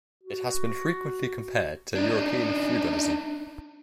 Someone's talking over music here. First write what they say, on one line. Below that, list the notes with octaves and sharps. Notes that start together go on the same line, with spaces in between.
It has been frequently compared to European feudalism.
F#4
D4 D#4